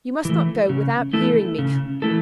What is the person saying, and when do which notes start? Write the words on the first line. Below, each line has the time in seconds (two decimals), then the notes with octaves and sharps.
You must not go without hearing me.
0.25 E3 A3
0.69 C#3
1.13 E3 A3 E4 A4
1.58 C#3
2.02 E3 A3 E4 A4